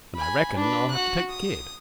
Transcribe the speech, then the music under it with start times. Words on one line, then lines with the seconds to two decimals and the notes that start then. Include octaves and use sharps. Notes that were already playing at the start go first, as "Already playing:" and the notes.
And I reckon I'll have to take the kid.
0.15 G#5 B5
0.57 D4 B4
0.91 F#4 F#6
1.29 D#6